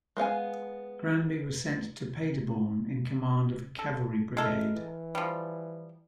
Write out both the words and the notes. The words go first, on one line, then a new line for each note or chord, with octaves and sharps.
Granby was sent to Paderborn in command of a cavalry brigade.
G#3 B3 F5 G#5
A4
G#3 E4 A4 A#4
E3
F3 G3